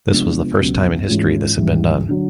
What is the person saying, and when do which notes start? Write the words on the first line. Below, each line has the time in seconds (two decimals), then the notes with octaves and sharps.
This was the first time in history this had been done.
0.11 C3 F3 G#3 B3 D4
0.59 C#2 B2 F#3 B3
1.08 G#2 E3 G#3 C#4 F4
1.57 A1 G#2 E3 G3
2.09 D3 F#3